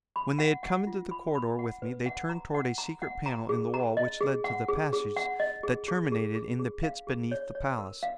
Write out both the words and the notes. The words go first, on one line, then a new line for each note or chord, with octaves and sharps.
When they had come into the corridor with me, they turned toward a secret panel in the wall which led to the passage that terminated in the pits beneath the palace.
B5
F#5
F#5
F4
B5
B5
F#5
B4
F#5
A#5
F#5
A#5
F#5
A#5
G#4
A#5
D#5
G#4
F#5
G#4
G#4
F#5
D#5
G#4
G#4
G#4
G#4
G#4
F5
G#4
C#5
C#5
A#4
F5